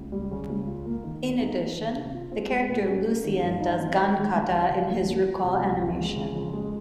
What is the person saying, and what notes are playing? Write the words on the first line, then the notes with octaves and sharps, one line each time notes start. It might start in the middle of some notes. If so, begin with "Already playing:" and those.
In addition, the character Lucian does Gun Kata in his recall animation.
Already playing: C#2
G3
C#3
C#2
F4
A#3
D#3
D#2
D#4
A#3
D#3
C3
F4
C4
G#3
A#2
C#4
A#3
D#3
G2
D#4
C4
G#3
D#3
C#2
F3
C#3
C#2
A#3
F3
C3
C#2
F2
G#3
C#3
F2
G#3